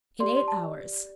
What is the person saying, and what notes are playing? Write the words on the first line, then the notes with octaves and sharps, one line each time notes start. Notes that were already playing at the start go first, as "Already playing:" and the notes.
"In eight hours."
G4 D5 C6
C6
A5